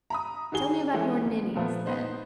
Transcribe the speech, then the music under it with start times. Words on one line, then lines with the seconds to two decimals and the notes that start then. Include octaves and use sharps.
"Tell me about your ninnies, then."
0.10 A#5 B5 D#6
0.52 D#3 F#4 G#4 G7
0.93 E3 G#3 A3 C#4
1.25 F#1
1.56 A#2 F3 A3 B3
1.87 B3 D#4 C5